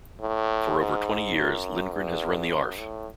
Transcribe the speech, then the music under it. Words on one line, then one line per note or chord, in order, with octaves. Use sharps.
For over twenty years, Lindgren has run the Arf!
A2
G#2
F#2
E2
F#2
A2